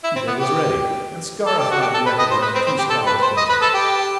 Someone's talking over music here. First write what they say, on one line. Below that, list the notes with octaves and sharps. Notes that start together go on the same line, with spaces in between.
Tito was ready, and scarified the epigram to Scala's content.
E4
C4
B3
G4
A4
G4
F#4
G4
A4
B4
D#5
C5
B4
C4
C4
G4
A4
B4
C5
D#5
B4
A4
G4